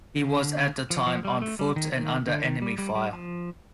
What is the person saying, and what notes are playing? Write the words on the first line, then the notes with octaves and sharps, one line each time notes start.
He was at the time on foot and under enemy fire.
D3
F3
F3
G3
A3
G3
D#3
D#3
D3
D#3
G3
G3
G3
F3